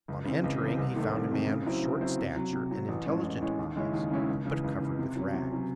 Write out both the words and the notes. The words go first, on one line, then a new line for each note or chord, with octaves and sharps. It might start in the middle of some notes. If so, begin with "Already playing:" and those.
On entering he found a man of short stature and intelligent eyes, but covered with rags.
C#2
C#3 E3 C4
C#2
C#3 E3 C4
C2
C3 D#3 A3 C4
C2
C3 D#3 A3 C4
C#3
F#3 C4 E4 C5
C#3
F#3 C4 E4 C5
C3
F#3 C4
C3
F#3 C4
A1
A2 G#3 C#4
A1
A2 G#3 C#4
D#2
C#3 G#3 C#4 E4
D#2
C#3 G#3 C#4 E4
C#2
C#3 E3
C#2
C#3 E3
C3
F#3 C#4
C3
F#3 C#4